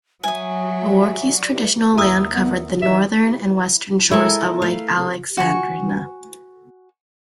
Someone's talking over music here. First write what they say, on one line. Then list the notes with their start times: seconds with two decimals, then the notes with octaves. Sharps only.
The Warki's traditional land covered the northern and western shores of Lake Alexandrina.
0.24 F#3 E5 G#5 D#6
1.98 D#2 E4 A#5 D#6 E6
2.82 E3 D#4 E5
4.11 G#3 E4 A4 A#4 G#5
4.62 A3 F5
5.37 F#4 G#5 C#6